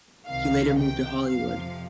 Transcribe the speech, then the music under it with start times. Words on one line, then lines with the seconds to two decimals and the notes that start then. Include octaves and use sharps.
He later moved to Hollywood.
0.27 C2 C3 D#3 F5
0.78 G5
1.29 F2 C3 F3 F5